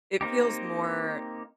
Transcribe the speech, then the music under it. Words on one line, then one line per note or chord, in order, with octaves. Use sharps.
It feels more
A#3 C4 D#4 G4